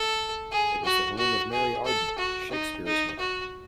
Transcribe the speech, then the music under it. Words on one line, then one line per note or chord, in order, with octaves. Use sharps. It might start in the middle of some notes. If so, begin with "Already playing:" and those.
It was the home of Mary Arden, Shakespeare's mother.
Already playing: A4
G#4
F#4
F#4
G#4
A4
F#4
D#4
D#4
F#4